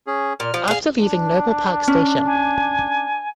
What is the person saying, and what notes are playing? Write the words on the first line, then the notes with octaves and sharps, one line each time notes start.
After leaving Noble Park Station.
C#4 G#4
A#2 F6
F3
G#4 F5
D4
C#4
G#5